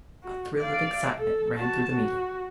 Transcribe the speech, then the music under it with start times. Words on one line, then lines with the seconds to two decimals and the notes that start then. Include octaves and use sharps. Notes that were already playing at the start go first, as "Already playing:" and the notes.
A thrill of excitement ran through the meeting.
0.24 F#4
0.58 D5 F5
1.17 A4
1.58 F#4 A5
1.92 F#4